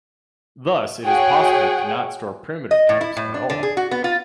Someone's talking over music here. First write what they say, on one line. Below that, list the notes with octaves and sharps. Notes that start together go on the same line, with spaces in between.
Thus, it is possible to not store primitive types at all.
F#4 G#4 C#5 F#5 G5
D#5
A2
E4
A2
D4
D3
G#4
F#4
B3
F4